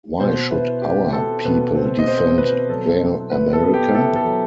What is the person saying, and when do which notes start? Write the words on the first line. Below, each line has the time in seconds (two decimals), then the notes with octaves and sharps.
Why should "our" people defend "their" America?
0.20 B2 C5
0.51 E4 B4
0.82 C4 G4
1.13 B2 A4
1.45 B2 B4
1.75 C4
1.99 D#5
2.07 C4 C5
2.38 B2 B4
2.69 F#3 A4
3.01 E4
3.32 E4 B4
3.53 A4
3.63 B3
3.74 G4
3.95 E4 A4
4.16 A4
4.25 F#3